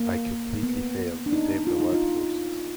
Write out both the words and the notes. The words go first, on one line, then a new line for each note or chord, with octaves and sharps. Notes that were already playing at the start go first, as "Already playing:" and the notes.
I completely failed to tame the wild horses.
Already playing: A#3
B3
D4
D#4
F4
D#4
F4